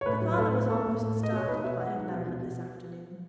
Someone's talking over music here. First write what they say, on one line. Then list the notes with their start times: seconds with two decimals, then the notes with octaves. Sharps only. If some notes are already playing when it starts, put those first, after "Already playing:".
Her father was almost startled by her merriment this afternoon.
0.01 C#5
0.06 A2 B4
0.22 F#3
0.33 B4
0.37 A2 A4
0.53 A3
0.69 A3 A4
0.85 A2
1.01 A2
1.16 A3
1.23 D#5
1.32 B2 C#5
1.48 D#4 B4
1.64 B2 E5
1.80 G#3 F#5
1.95 D#4
2.11 B2
2.27 B2
2.42 B2